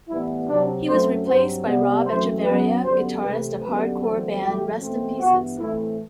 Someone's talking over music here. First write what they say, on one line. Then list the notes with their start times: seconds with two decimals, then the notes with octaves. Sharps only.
He was replaced by Rob Echeverria, guitarist of hardcore band Rest in Pieces.
0.08 A2 E3 G3 B3 E4
0.48 C3 F#3 C4 D4
0.87 F#2 F#3 A3 C4 C5
1.26 G2 F#3 C4 C5
1.66 C3 G3 B3
2.05 F#2 E3 A3 C4 C5
2.45 F#2 F#3 B3 B4
2.84 F#2 D3 G3 B3 C5
3.23 C3 E3 A3 C4 B4
3.62 F#2 D3 G3 B3 B4
4.01 E2 D3 F#3 A3 C4 A4
4.41 E2 B2 F#3 A3 G4
4.81 E2 B2 A3 C4
5.19 G2 E3 B3 F#4
5.59 A2 E3 A3 C4 E4